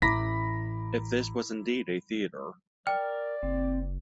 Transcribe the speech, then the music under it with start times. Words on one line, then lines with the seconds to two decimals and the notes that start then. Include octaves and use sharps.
If this was indeed a theatre.
0.02 A1 E4 A#5 B5 D6 A#6 B6
2.87 A#4 D5 G5 F6
3.43 F#1 C4